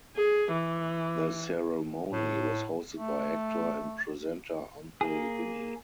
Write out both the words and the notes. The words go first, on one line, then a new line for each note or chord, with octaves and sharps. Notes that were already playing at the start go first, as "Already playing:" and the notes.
The ceremony was hosted by actor and presenter Uncle Vinny.
G#4
E3
A2
A3
A#3 G#4